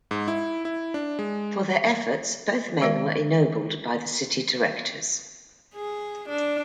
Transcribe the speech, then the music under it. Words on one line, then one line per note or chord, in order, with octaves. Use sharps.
For their efforts, both men were ennobled by the city directors.
G#2
E4
E4
D4
G#3
D#3 G#3 A#4 D5
G#4
D4